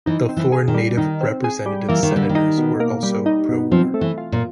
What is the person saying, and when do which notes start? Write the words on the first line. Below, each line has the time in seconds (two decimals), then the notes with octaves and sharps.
The four Native Representative Senators were also pro-war.
0.06 E3 D#4
0.29 C4
0.37 E3
0.52 G#4
0.68 D#3
0.74 G3
0.97 D#3 D#4
1.21 C4
1.44 G#4
1.66 G3
1.89 E3 A#3
2.03 D#3
2.12 D3 G3
2.29 D#3
2.35 D#4
2.58 B2
2.80 A#3
3.03 G3
3.26 D#4
3.49 B2
3.71 F3 C4
3.94 A3
4.01 E3
4.18 F4
4.32 A#2